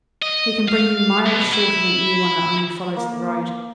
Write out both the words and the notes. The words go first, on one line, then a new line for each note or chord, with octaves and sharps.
He can bring you miles shorter than any one that only follows the road.
D#5
F5
B2
E4
A#3